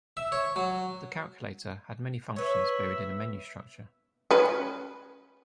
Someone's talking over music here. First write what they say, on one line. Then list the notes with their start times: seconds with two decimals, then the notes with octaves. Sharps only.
The calculator had many functions buried in a menu structure.
0.17 E5
0.32 C#5
0.56 F#3
2.36 B4 C#5 E5
4.31 C#4 B4